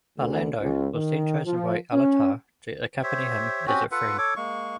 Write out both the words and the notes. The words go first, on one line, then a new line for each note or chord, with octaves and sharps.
Pallando was then chosen by Alatar to accompany him as a friend.
D2
C#2
D#3
F3
C#4
G4 C5 C#5 E5
C4 C#4 F#4 G4
F4 A4 B4 F#5
A4 C#5 D6
G#3 A#3 C#6